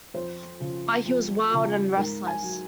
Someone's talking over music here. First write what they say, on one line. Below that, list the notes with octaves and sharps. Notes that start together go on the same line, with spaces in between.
But he was wild and restless.
F2 C5
C#3 F3
F2
C#3 F3
G#2 A#4
G#5
F#3